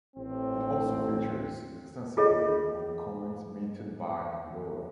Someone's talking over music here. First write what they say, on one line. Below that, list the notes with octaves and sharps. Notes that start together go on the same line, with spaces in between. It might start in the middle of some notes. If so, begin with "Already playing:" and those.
It also features extensively on coins minted by Andorra.
A1 C4
F4 G#4 C#5 D#5